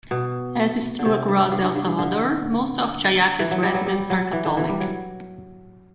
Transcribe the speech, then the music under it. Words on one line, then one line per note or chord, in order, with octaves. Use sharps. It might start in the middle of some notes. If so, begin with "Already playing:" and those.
As is true across El Salvador, most of Jayaque's residents are Catholic.
B2
D3
C3
G2
G2
G2
G2
G2
D3
E3
F#3
G3
F#3
G3
F#3
E3
D3
E3
G3
F#3